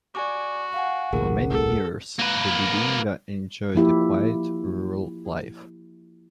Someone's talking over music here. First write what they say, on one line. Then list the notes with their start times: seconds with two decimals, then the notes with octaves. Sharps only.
For many years, the Didinga enjoyed a quiet, rural life.
0.15 F#4 D5 G#5 D6
0.74 F5 F#5 G#5
1.13 A1 D2 A#2 G#4 A#4 F#5
1.50 D#1 C2 A2 A4
2.19 A#3 B4
3.75 F3 A#3 E4 G4